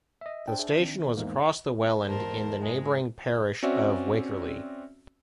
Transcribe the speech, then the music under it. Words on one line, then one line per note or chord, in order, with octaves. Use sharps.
The station was across the Welland in the neighbouring parish of Wakerley.
D#5 E5
D4 C5 G5
G#4 E5
D#3 C4
E2 G#2 A#3 D#4
E2 G#2 A#4 C5 A5
G#2 G#3
C4 C#4 F#4 D5 E5